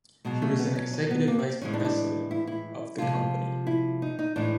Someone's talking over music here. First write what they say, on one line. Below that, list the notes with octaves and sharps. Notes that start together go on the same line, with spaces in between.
He was an Executive Vice President of the company.
B2 F#3 G#3
A3
B3
C#4
C#4
B3
A#3
C4
C4
A2 E3 G#3 C#4
D4
D#4
D4
E4
E4
C3 F3 G#3 F4
E4
D#4
D#4
A2 E3 G#3 D4